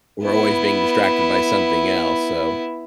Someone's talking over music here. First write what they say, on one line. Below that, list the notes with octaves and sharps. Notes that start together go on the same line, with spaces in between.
we're always being distracted by something else, so,
B3 E4